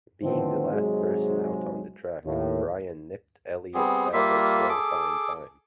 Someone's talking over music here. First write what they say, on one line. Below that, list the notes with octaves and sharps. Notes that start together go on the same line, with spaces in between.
Being the last person out on the track, Brian nipped Elliott Sadler's qualifying time.
A2 D3 D#3 F3 B3 C4
G#2 C3 F#3 G#3
D#2 A2
G3 B3 C4 G#4
G3 A#3 F4 E5
G#4 A4 D6